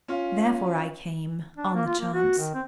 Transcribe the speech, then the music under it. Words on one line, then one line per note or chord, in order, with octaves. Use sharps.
Therefore I came--on the chance.
C#4 F4
D4
A#3
F4
A#3
F#4
D#3
C4